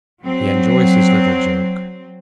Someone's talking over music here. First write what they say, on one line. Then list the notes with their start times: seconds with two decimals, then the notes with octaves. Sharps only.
He enjoys his little joke.
0.24 F#3 C4